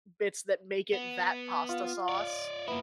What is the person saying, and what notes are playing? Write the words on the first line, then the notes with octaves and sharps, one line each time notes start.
bits that make it that pasta sauce.
B3
F4
C#5 D5
A#3 B3 E4